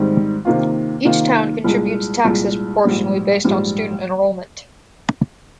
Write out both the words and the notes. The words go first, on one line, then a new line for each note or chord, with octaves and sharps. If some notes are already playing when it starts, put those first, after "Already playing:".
Each town contributes taxes proportionally based on student enrollment.
Already playing: G#2 D#3 G3 C4
C3 D#3 A#3 F4
C3 D#3 A#3 F4
C2 A#2 G#3
C2 A#2 G#3
A#1 G#2 G3
A#1 G#2 G3